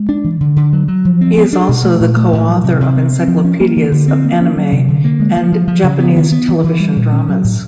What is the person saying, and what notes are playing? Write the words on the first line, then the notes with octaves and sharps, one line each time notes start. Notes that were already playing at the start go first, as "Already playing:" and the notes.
He is also the co-author of encyclopedias of anime and Japanese television dramas.
Already playing: G#3
D4
E3
D3
D3
F#3
F#3
F3
C4
B3
D4
B2
A3
A#2
A3
A2
F#3
C3
C3
C4
C4
F3
C#4
A#3
E3
D3
C4
A#3
C#4
F#3
C3
D3
A#3
G#3
F3
F3
F3
C#3
B3
D#3
B3
E3
E3
G3
A#2
C#4
F#3
A2